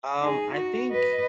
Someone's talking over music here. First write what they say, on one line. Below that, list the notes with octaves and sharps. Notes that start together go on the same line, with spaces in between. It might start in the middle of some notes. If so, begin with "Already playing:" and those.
Um, I think
D#4 G#4
F#4
B4 D#5